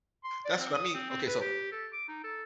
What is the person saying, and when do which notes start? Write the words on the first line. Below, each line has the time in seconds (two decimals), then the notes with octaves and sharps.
that's what I mean, okay, so,
0.24 C6
0.45 D5
0.59 C4
0.74 D#6
0.94 C4
1.10 C4
1.27 B4
1.41 G4
1.72 A4
1.93 D6
2.08 D#4
2.24 A4